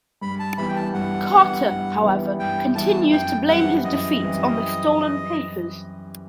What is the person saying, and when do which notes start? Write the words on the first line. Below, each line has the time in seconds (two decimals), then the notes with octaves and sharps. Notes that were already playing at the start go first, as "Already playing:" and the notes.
Carter, however, continues to blame his defeat on the stolen papers.
0.22 G2 B5
0.40 A5
0.58 E3 G3 B3 E4 B5
0.69 G5
0.76 A5
0.94 G2 F#5
1.30 E3 G3 B3 E4
1.67 G2
2.02 E3 G3 B3 E4
2.39 G2 G5
2.75 E3 G3 B3 E4 A5
3.11 F#2 G5
3.48 E3 G3 C4 E4 F#5
3.84 F#2 D#5
4.20 E3 G3 C4 E4